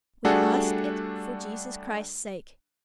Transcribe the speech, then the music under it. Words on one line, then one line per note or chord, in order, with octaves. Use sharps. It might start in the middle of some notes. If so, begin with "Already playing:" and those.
We ask it for Jesus Christ's sake.
G3 A3 D4 F#4 G#4 A4